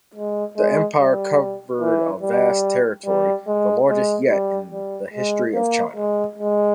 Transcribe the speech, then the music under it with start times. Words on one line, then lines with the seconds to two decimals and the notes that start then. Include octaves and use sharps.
The empire covered a vast territory, the largest yet in the history of China.
0.15 G#3
0.57 G#3
0.99 G3
1.81 E3
2.23 G3
3.06 G3
3.47 G#3
3.89 G#3
4.30 G3
4.72 G3
5.14 G#3
5.55 A#3
5.96 G#3
6.38 G#3